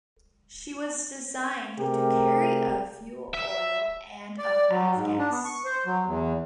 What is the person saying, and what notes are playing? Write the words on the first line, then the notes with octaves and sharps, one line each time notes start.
She was designed to carry of fuel oil and of Avgas.
C3 A3 G4 G#4 A#4
E5
D5
F#3
G#2
D4
B3
C#6
C5
F#3
E2